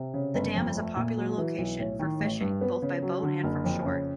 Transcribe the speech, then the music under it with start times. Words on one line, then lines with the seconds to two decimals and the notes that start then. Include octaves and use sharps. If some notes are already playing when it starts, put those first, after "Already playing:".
The dam is a popular location for fishing, both by boat and from shore.
Already playing: C3
0.14 C#3
0.34 G1
0.55 F2
0.76 A3
0.96 A#2
1.17 F#3
1.38 E3
1.58 B1
1.79 A2
1.99 D#3
2.20 A1
2.41 G2
2.61 B3
2.82 C#3
3.02 F#3
3.23 D3
3.44 F#1
3.64 F2
3.85 C#3